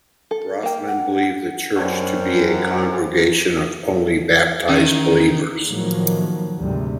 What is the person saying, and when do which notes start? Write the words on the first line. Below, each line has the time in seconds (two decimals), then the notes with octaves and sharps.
Rothmann believed the church to be a congregation of only baptized believers.
0.31 A4
0.63 A#3 G5
0.88 F#5
1.76 F#2 C4 D4 F#4
4.69 D#3 C#4
5.67 A2 D#3 F3 F#3 A#3
6.58 D2 G#2 C3 G3